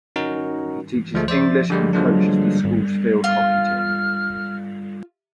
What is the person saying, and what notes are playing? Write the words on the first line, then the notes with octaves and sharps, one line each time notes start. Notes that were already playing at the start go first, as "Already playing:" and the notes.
He teaches English and coaches the school's field hockey team.
C#4 D#4 F#4 A#4
D2 F3 G#3 A3
C5 D5 E5 A6
D3 G3 G#3
D3 F3 F#3 G#3 A#3 D4
G#1
F4 F6